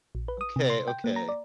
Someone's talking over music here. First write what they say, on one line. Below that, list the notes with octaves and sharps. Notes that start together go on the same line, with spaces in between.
Okay, okay.
A#1
B4
D#6
C3
C6
G5
A#3
A#5
D5